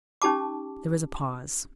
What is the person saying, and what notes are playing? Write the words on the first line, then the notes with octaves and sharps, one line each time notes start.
There was a pause.
C#4 D#4 G4 A5 D6